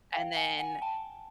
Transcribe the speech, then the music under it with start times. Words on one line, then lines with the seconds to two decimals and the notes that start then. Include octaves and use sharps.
And then,
0.14 F5 G5
0.36 F#5 G#5
0.59 F#5 G#5
0.81 G5 A5